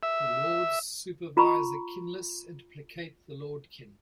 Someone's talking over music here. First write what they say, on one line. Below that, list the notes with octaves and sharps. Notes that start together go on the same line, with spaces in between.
The Lords supervise the kinless and placate the Lordkin.
E5
F4 A#5 B5 C#6